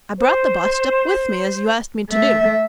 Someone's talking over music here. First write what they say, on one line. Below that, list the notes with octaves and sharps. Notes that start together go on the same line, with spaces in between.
I brought the bust up with me, as you asked me to do.
C5
A3 E5